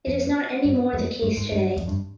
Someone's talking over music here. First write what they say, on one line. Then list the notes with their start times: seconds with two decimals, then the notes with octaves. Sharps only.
It is not anymore the case today.
0.07 F2
0.65 G2
0.93 F2
1.23 G2
1.37 G#2
1.52 G2
1.77 F2
1.88 G2